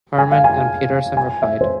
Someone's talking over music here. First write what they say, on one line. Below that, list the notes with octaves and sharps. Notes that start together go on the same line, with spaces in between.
Herman and Peterson replied.
G#5
F5
G#5
G#5
E5
C5